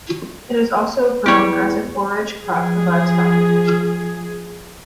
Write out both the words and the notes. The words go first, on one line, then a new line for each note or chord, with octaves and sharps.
It is also grown as a forage crop for livestock.
E2 G4 C#5
F3 G#4